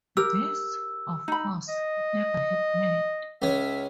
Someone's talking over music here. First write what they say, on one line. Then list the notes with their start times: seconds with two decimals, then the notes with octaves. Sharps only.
This, of course, never happened.
0.17 G4 A#4 E6
1.28 D#4 B5
1.69 D#5
3.42 C#2 C#4 E5